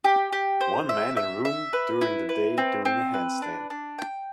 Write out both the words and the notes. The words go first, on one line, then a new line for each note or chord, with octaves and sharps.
One man in a room during the day doing a handstand.
G4
G4
C5
E5
E5
E5
B4
E4
B4
C4
C4
B4
D4
D4
G5